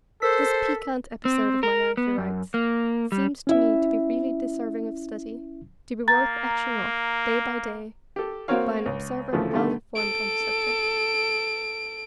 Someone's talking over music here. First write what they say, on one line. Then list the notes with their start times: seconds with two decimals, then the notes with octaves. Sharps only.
"This piquant episode of my life," he writes, "seems to me to be really deserving of study; to be worth etching off, day by day, by an observer well informed on the subject."
0.22 A4 A#4 C5 E6 B6
1.25 C4
1.63 A#4
1.97 B3
2.18 F#2
2.54 A#3
3.12 G3
3.47 C#4 E4 E5
6.08 A#3 A#5 A6
8.16 G4 A4
8.48 A#3 C4 F#4 A#4 C#5 F5
8.86 C#2
9.32 D2 C#3 E3 F3 A3
9.53 B2 D3 D#3 G3 A3
9.95 A4 D7